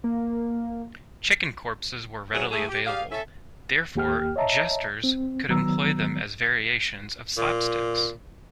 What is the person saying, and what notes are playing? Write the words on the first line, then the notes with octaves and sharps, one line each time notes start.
Chicken corpses were readily available; therefore jesters could employ them as variations of slapsticks.
A#3
F#3 C4 E4 G#4 C#5 E5
A3 E4 G#4
G4
G4 G#4 D5 F5
C#4 A4 E5
D#2 A#3 G4 G5 F6
C#5 D#5 E5 A5 A#5
C4
D#3 F#3 B3 A#5 E6
A#2